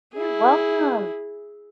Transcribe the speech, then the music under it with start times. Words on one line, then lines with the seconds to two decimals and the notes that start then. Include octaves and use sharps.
You're welcome.
0.13 E4 G#4